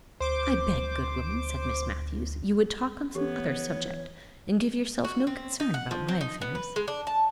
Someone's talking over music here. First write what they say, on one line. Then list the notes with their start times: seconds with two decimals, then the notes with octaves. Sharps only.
"I beg, good woman," said Miss Matthews, "you would talk on some other subject, and give yourself no concern about my affairs."
0.20 D2 C5 D6
3.15 E3 B3 G4 A4 C#5
5.05 F#4
5.27 C4
5.60 D#4
5.74 F#5
5.91 F3
6.08 C4
6.21 D#4
6.41 B3
6.55 B4
6.76 G#3
6.88 D4
7.07 A5